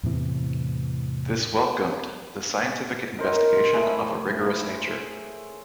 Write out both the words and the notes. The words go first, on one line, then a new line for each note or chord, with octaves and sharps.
This welcomed the scientific investigation of a rigorous nature.
E2 A2 C3 E3
D#4 A#4 C5 C#5
A3 E4 G#4